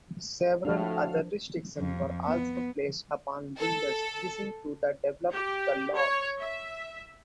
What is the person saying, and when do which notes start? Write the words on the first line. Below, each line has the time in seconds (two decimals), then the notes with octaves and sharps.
Several other restrictions were also placed upon builders wishing to develop the lots.
0.65 A2 F3 A3 D4 F#4 A4 F5
1.78 F2
2.25 B3
3.58 A4
5.32 G4
5.94 C#5
6.39 E5